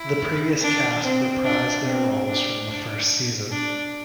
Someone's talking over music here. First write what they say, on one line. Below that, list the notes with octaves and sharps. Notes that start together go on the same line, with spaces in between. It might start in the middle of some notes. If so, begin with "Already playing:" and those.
The previous cast reprised their roles from the first season.
Already playing: E4
D4
C4
D4
C4
D4
D4
D4